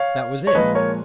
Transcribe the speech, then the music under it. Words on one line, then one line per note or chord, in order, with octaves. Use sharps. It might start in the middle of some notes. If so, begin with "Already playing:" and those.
That was it!
Already playing: C#5 F5
C#5
A#2 F3 G#3 B4 D#5
A#4 C#5